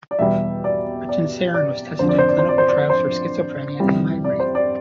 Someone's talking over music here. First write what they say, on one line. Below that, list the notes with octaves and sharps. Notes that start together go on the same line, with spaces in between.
Ritanserin was tested in clinical trials for schizophrenia and migraine.
D5
E2 B2 G3 E5
D5
D5
D5
F2 D3 F3 C5
D5
C5
D5
C5
D5
C5
D5
C5
C5
F2 C3 E3 G3
D5
C5
D5